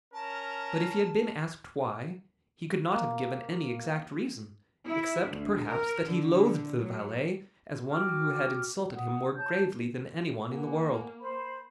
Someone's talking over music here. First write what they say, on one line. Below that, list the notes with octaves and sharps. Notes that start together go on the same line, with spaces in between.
But if he had been asked why, he could not have given any exact reason, except perhaps that he loathed the valet as one who had insulted him more gravely than any one in the world.
C#4 A#4 A5 A#5
A#3
E4
D2
A#4
D3
F#3
F#4 G5 D6 F6
F#5 D#6
C#5 A5 G6
A#3 F#5 G#5
C5 B5